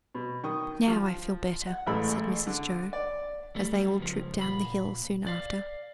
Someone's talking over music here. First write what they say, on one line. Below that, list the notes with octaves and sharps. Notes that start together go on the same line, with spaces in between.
'Now I feel better,' said Mrs Jo, as they all trooped down the hill soon after.
B2
D#3 C#6 D#6
F3
F#5
A1 E3 G#3 A3 B5 E6
D3
D5
G3 A3
F#2 G3
C#2 F3
A#2 B5
D5 F5